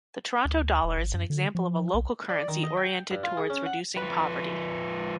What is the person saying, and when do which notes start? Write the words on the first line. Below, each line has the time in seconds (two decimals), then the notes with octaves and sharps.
The Toronto Dollar is an example of a local currency oriented towards reducing poverty.
0.45 D2
0.84 D#1
0.97 G#1
1.14 F#2
1.30 D3
1.55 F3
1.94 B1
2.29 D5
2.48 D#3
2.64 D#5
2.77 G5
3.11 G2
3.23 F4
3.37 G#4
3.50 C#4
3.66 F#5
3.97 F3 B4